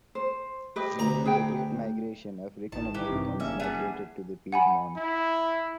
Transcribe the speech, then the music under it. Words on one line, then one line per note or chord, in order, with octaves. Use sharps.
During the Great Migration, African Americans migrated to the Piedmont.
C5
G4 B4 D#5
D2 A#5
G#4 B4 G5
A1 D#3 E3 A5
E3 F#3 G4
G2 C3 D#3
F#1 A#3 C#4 D4 E5
E3 G3 G#4 F#5 A5
F#5 G#5 B5
E4